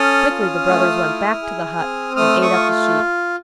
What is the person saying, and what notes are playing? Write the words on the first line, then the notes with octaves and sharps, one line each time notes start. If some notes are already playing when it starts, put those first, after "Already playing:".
Quickly the brothers went back to the hut and ate up the sheep.
Already playing: C#4 A4 D#6 F6
F4
A3
E4
G#4
C4
A3 D#6 F6
C#6 D#6
F4